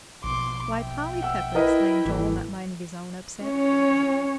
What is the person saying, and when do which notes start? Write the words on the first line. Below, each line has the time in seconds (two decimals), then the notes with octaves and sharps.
"Why, Polly Pepper!" exclaimed Joel, not minding his own upset.
0.24 A#1 B2 C6 D6
0.72 E5 G5
1.22 F#5 E6
1.55 E4 A#4 B4 D#5
2.05 G#1 E3 A#3 A4
3.44 C#4 C#5